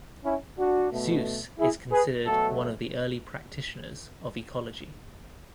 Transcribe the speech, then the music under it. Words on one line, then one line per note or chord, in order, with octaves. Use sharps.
Suess is considered one of the early practitioners of ecology.
C#4 E4
D4 F#4
B2 A3
E4 G#4
G#4 B4
B2 F#3 A3 F#4 A4